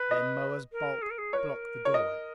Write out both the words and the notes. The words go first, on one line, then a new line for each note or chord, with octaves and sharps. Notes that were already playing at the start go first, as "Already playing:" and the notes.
Then Moa's bulk blocked the doorway.
Already playing: B4
D#5
A#4
G#4
A#4
G#4
A#4 B4 C#5
C#5
D#5